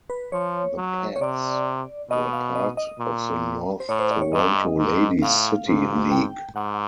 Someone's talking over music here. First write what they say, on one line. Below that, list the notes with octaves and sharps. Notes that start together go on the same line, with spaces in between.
The Pats were part of the North Toronto Ladies' City League.
B4
F3 C#5
F#3
C#5
C3 D5
B2 D#5
F5
D#5
D#5
A#2
C5
A2 C#5
C5
D5
C#5
G2 D#5
G#2
A2 F5
G#2
G5
G#2 F#5